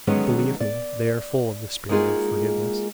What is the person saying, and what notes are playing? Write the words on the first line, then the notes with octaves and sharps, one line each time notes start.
Believe me, they are full of the spirit of forgiveness.
D3 D#3 F#3 G#3 B3 C#4
D5
G#3 A#3 D#4 F4 F#4 G#4